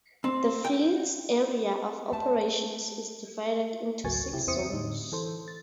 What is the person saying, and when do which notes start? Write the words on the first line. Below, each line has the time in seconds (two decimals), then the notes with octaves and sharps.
The fleet's area of operations is divided into six zones.
0.24 C4
0.65 G5
2.12 A3 A5
4.04 G#1 C#2 F#3 G#5 C#6 A6
4.33 C3 E4 G4
4.47 E2 C4 C5 E5 D#6 C#7
4.73 A2 D3 D#4
5.12 E3 A4 C5
5.48 A6